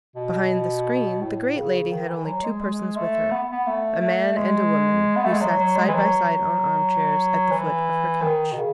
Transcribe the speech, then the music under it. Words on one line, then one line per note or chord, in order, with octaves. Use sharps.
Behind the screen the great lady had only two persons with her: a man and a woman, who sat side by side on arm-chairs at the foot of her couch.
B2
A2
C#3
D#3
E3
F#3
G#3
G#3
A3
B3
B3
A3
A3
G#3
B3
A3
G#3
F#3
F#3
G#3
E3
F#3
E3
D#3
B2
C#3